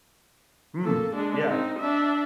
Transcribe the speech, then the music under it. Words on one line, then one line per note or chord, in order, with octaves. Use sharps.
Mm. Yeah.
A#3 A4
G#3 D4
C4 D#4
D4 E5